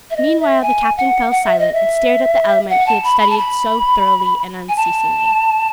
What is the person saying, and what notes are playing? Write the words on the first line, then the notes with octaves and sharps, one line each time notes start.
Meanwhile the captain fell silent and stared at the element he had studied so thoroughly and unceasingly.
E5
D#5
E5
G#5
F#5
F#5
E5
D#5
E5
F#5
A5
B5
B5
A5
B5
G#5
A5